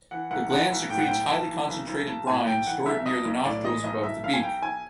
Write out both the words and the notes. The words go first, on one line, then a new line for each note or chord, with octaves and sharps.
The gland secretes highly concentrated brine stored near the nostrils above the beak.
E3 F#5
B1 F#5
E3 F#5
B1
A2 G5
F#5
B1 G5
B1 A5
E3
B1
B1
B1 A5
A2 G#5
B1 G5
E3 F#5
B1 E5
B1 D#5
B1
A2 D5
E3 D#5
B1 D#5
B1 E5
B1 F5
G#5
B1 G5
B1 G#5